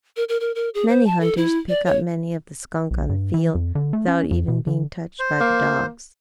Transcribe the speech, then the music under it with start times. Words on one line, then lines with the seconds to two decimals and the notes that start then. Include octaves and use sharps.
Many hunters pick up many of the skunk on the field, without even being touched by the dogs.
0.16 A#4
0.29 A#4
0.40 A#4
0.55 A#4
0.74 G#4
0.89 C5
1.07 A5
1.21 A4
1.37 E4
1.69 D5
1.85 C#5
2.91 B1
3.09 G2
3.34 E3
3.55 F2
3.75 D3
3.93 A3
4.08 C#4
4.31 F2
4.48 B2
4.67 D3
5.19 C5
5.41 A#3